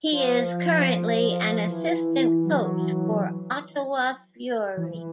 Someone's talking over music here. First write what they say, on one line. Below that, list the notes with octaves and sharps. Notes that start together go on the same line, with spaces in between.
He is currently an assistant coach for Ottawa Fury.
F3
E3
F#3
E3
E3